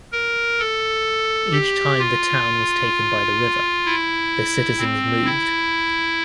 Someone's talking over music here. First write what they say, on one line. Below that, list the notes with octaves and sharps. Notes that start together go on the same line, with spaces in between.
Each time the town was taken by the river, the citizens moved.
A#4
A4
G4
F4
E4
C4
E4